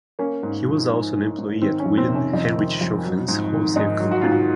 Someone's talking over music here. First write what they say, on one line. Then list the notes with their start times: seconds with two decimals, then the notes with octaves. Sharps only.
He was also an employee at William Hainrichshofen's wholesale company.
0.19 A#3 C#4
0.43 G#2
0.67 F3
0.91 G#2
1.14 A#3
1.38 G#2
1.62 D#3 C4
1.80 C#4
1.86 F2
1.98 C4
2.10 C3
2.15 C#4
2.33 F2 D#4
2.57 D#3
2.81 F2
3.05 F#3
3.28 G#2
3.53 D#3
3.76 G#2 D#4
4.00 F#3
4.11 F#4
4.21 G#2 F4
4.32 F#4